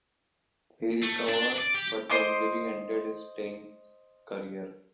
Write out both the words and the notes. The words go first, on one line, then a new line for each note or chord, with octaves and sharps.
He recovered, but the injury ended his playing career.
A3
D4
D5
G4
C5 D#5 C6 D6